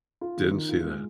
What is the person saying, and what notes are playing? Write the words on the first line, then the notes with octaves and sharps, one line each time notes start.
Didn't see that.
F4
D#3
D#3
F4
G#3